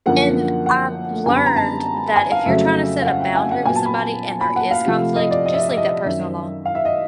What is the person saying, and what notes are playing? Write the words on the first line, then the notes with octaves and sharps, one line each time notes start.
and I've learned that if you're trying to set a boundary with somebody and there is conflict, just leave that person alone.
F#2 D3 F3 A#3 F#5
F#5
F#2 D3 G3 B3 G#5
B5
A#5
A5
G#5
F5
F2 C#3 F#3 A3 E5
F5
F#5
G5
G#5
F#5
A#2 F#3 B3 G#5
A5
B5
B5
F#5
F5
C3 F3 A3
D#5
D5
D#5
E5
D#5
E5
D#5
F#2 D#3 F#3 E5
F5
E5
D#5